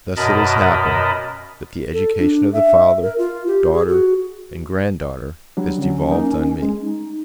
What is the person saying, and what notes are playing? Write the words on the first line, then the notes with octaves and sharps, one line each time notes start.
Thus it has happened, that the education of the father, daughter, and grand-daughter, has devolved on me.
F#2 B2 A#4 D#5 A5 B5
A4
D4
E5
A#4
F4
G4
G#4
F#4
F#3 G3 D4
D3 F#3 C#4
A#3 D#4 A#4
G#3
D#4